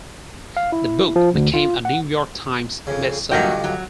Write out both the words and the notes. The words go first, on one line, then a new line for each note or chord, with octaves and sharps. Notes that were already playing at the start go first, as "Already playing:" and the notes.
The book became a "New York Times" bestseller.
F5
E4
F3
D2
F4
F#5
F2 C#3
D2 G2 F3 F#3 A#3 F#4 D#5 G5
F#3